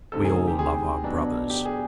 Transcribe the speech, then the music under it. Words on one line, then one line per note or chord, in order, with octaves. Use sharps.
"We all love our brothers."
D2 C3 D#3 A4
G#4
G#4
G4
G#4
B2 F#3 B3 D4
G4
G#4